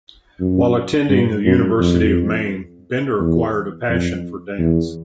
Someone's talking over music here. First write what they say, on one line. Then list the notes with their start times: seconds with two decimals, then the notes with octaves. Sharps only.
While attending U-Maine, Bender acquired a passion for dance.
0.41 F#2
1.09 G2
1.45 F#2
1.79 F2
3.20 E2
3.89 F2
4.58 E2